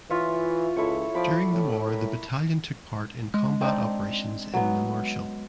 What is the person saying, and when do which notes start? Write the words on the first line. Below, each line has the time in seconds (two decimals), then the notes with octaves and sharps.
During the war the battalion took part in combat operations in the Marshall.
0.10 E3 F4 C#5 E5
0.76 C#2 E4 A4 C#5
1.15 F3 D5 B5
1.52 A2
1.87 A#4 B5
3.34 G#3
3.61 C4 D4 D#4
4.54 F#3 B3